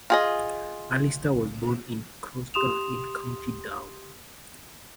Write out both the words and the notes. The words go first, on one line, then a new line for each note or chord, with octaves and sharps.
Allister was born in Crossgar in County Down.
F4 G#4 D#5
G4 C6 D#6 E7 F7